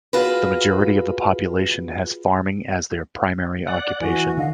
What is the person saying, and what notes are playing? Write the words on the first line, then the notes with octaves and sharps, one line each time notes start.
The majority of the population has farming as their primary occupation.
F4 F#4 G#4 B4
D5 F#5
E3 F#4 G#5
D3 D#3 D#5 F5 F#5